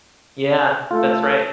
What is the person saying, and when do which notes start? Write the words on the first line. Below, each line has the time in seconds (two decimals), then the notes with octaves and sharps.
Yeah, that's right.
0.91 A3 F4 A4